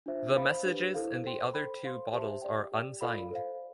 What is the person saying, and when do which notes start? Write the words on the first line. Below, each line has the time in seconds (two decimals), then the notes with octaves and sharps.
The messages in the other two bottles are unsigned.
0.06 D4 F4 C5 E5
0.35 C5 F5 B5
0.65 D4 G4 B4
0.94 E4 A4 C5 F5
1.24 A4 C5 G5 C6
1.54 A4 C5 G5 B5
1.83 C5 F5 C6
2.13 G4 C5 E5 A5 C6
2.42 G4 D5 G5
2.72 G4 D5 G5
3.01 F4 A4 D5 F5 B5
3.31 A4 C5 F5